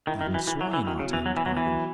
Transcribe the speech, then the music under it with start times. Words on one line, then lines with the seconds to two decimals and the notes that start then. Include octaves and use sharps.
Even swine are tamed by them.
0.07 D#3 E4
0.21 D#3
0.27 F#3
0.34 E3
0.47 E3 E4
0.61 F#3
0.67 E4
0.73 E3
0.87 D#3 F#3
0.99 C#3
1.06 B2
1.13 E3
1.26 B2 F#3
1.37 E3
1.46 F#3 B3
1.57 E3
1.66 F#3